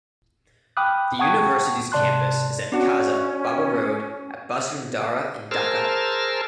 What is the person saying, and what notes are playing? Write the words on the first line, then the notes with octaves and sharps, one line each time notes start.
The university's campus is at khaza baba road at Basundhara in Dhaka.
G5 B5 D6 D#6 F6 F#6
F#5 G5 A5 C#6 D#6 G#6
G#2 C3 D5 A5 C6 F#6
C#4 D4 F#4
G#4 A#4 C5 A5 E6 F6